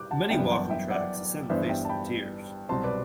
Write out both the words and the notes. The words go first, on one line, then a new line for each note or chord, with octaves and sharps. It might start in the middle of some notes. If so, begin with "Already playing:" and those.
Many walking tracks ascend the face of the Tiers.
Already playing: G3 D6 F#6 G6
F#5 A5
G1 F#2 E3 B3 D4 E5 G5
F#5 A5
E5 G5
D5 F#5
G1 G2 E3 B3 D4 C5 E5
E5 G5
A5
G5 B5
C2 B2 F#3 C4 A5 C6
B4 D5